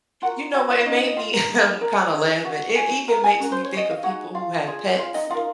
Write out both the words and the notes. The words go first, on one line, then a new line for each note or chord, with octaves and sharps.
You know what, it made me, um, kinda laughing, it even makes me think of people who have pets,
F4 F#4 A#4 F#5
F#4 F#5
F4 F5
C#5
C#4 D#4 F4 A#4 D#5
D#5
F4 F5
A#4 A#5
D#4 G#4
A#4 A#5
D#4 G#4
F#4 F#5
D#4 F#4 G#5
A#4 A#5
G#4 G#5
C#4 F#4 A#4
C5
C#5
D#5
F5
D#4 F#4 G#4 F#5
F4 F5
F4 G#4
F4 F5
D#4 D#5
D#4 F4 A#4 F5